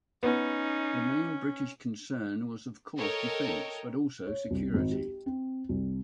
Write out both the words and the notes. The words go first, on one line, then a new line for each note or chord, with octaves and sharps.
The main British concern was of course defence, but also security.
B3 C#4 D#4
A4 A#4 C#5 D#5 G5
C#5
C2
G#1
G4
C4
C2